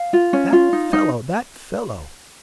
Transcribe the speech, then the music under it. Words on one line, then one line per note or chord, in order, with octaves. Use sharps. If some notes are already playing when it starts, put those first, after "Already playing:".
That fellow--that fellow!'
Already playing: F5
F4
C#4
F4
D#4
D#4